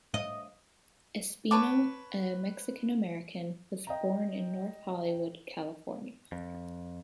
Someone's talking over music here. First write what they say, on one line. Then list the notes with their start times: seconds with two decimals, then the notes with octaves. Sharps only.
Espino, a Mexican-American, was born in North Hollywood, California.
0.14 D#5
1.51 B4 C#5 A5 D6
3.87 D#5 G5 A#5
6.32 F2